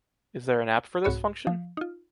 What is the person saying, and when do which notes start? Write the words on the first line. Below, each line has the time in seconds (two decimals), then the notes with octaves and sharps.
Is there an app for this function?
1.04 C2 G#2 F#4 C#5 B5
1.47 F3
1.77 D#4 F4